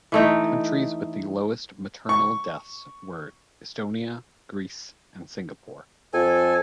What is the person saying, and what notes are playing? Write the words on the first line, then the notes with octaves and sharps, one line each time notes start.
Countries with the lowest maternal deaths were Estonia, Greece and Singapore.
E3 A3 D#4
C#6
F2 A4 G#5